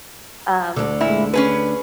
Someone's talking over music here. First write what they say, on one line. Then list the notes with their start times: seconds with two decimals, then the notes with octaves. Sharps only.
um, m
0.76 D2 D3
1.01 A#2 E4
1.33 C#4 G#4 B4